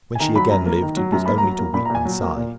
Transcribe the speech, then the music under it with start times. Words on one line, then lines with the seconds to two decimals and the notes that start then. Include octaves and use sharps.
When she again lived, it was only to weep and sigh.
0.15 G#5
0.20 D#3 A#5
0.36 F#3 B5
0.51 F#2 A#5
0.66 A#3
0.82 D#3
0.97 F#3
1.12 F#2 A#5
1.26 A#3 B5
1.38 A#5
1.43 F#3
1.59 A#3
1.74 A#2 B5
1.85 A#5
1.90 A#2
1.95 G#5
2.05 F#3
2.21 A#3
2.36 A#2